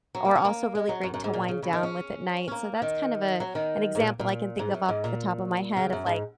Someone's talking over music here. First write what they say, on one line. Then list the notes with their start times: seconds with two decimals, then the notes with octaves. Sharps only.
or also really great to wind down with at night, so that's kind of a an example I can think of off the top of my head of, like,
0.15 F#3
0.25 A#3
0.35 C#4
0.45 A#3
0.75 G#3
0.89 F#3
1.03 F#2
1.14 F#2
1.24 G#2
1.34 A#2
1.48 C#3
1.62 C#3
1.73 D#3
1.83 C#4
2.48 C#4
2.52 A#3
2.82 D#3
3.40 F#3
3.55 D#3
3.95 G#2
4.00 A#2
4.19 A#2
4.59 G#2
4.74 F#2
4.88 G#2
5.04 A#2
5.77 C#3
5.93 F#2
6.06 G#2